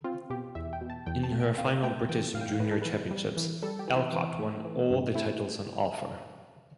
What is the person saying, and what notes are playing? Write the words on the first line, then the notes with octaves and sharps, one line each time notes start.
In her final British Junior Championships, Alcott won all the titles on offer.
C4 F4
B2 G4
E2 E5
G5
B2
A5
E2 G5
A5
A3
G5
C4 F5
A3 G5
E3 G5
A2 F5
G5
F5
A2 B4
A4
E3 B4
G3
E3
G3 A4
G4
E3
E4
E3
A3
E3
G2
A3 E4